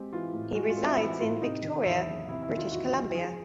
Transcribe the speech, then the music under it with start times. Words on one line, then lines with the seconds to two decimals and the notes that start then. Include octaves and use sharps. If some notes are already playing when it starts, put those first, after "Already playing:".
He resides in Victoria, British Columbia.
Already playing: G#3 C4 G4
0.13 E3 F4
0.33 A2
0.55 G#3 F#4
0.70 F4
0.77 C4
0.84 E4
0.98 E3 E4
1.20 A2 F4
1.42 C3 D#4
1.63 D#3
1.84 E2 E4
2.06 F#1
2.28 C3 E4
2.43 E4
2.49 D#3
2.57 F4
2.71 E2 F#4
2.93 F#1
3.14 F3 G#4